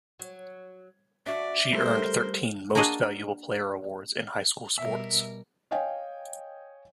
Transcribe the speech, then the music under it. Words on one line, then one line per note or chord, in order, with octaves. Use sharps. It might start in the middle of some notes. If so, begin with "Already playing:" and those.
She earned thirteen Most Valuable Player awards in high school sports.
F#3
D4 F#4 D5 E5
C#3 G3 A3 A4 A#4 C5
A#3 D4 F#4 G#4 D#5 F#5
B2 G3 A#4 E5
C#5 D#5 F5 G5 G#5